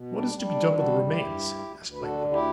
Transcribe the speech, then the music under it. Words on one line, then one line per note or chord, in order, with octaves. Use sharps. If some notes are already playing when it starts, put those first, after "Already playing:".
'What is to be done with the remains?' asked Lightwood.
Already playing: B2
G3 D4
G3
D4
D3
G3 F#4 A4
G2
E4 G4
G2
D2
D2
D2
B4
D3 F#4 A4
D2
E4 G4